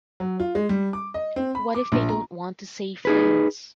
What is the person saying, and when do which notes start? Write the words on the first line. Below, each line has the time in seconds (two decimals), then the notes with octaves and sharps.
What if they don't want to say friends?
0.20 F#3
0.40 F4
0.55 G#3
0.69 G3
0.93 D6
1.14 D#5
1.36 C4
1.55 B5
1.75 D6
1.92 A#1
2.09 A#5
3.05 D#4 G#4 B4